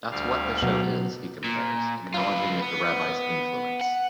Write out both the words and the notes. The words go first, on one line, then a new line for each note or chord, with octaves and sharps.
That's what the show is, he compares, acknowledging the rabbi's influence.
D2 G3 F5
B2 F#3
A#2
F4 B4
B3
F#5